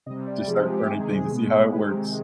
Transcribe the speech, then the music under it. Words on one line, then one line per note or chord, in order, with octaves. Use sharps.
Just start turning things to see how it works.
C3 G3 D#5
D5
C3 F3 G#3 G#4
G4
C3 D#3 G#3 G#4
B2 G#3
C3 D#3 G#3 B4